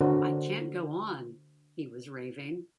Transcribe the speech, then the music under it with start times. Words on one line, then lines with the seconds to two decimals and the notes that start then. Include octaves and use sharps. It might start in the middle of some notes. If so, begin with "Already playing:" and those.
"I can't go on," he was raving.
0.01 D3 D4 F#4 A#4 C5